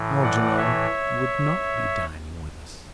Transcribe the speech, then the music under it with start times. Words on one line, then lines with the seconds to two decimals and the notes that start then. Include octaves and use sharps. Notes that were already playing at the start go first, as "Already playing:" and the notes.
Algernon would not be dining with us.
Already playing: A2 E3
0.23 D5 F#5
0.58 C#5 E5